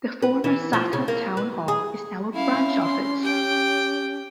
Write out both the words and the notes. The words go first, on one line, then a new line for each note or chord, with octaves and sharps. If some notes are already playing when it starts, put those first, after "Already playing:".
The former Sata Town Hall is now a branch office.
B4
E3
F3
C#3
A#3
B4
G#4
C#4 E4 F5
C6
G4 G5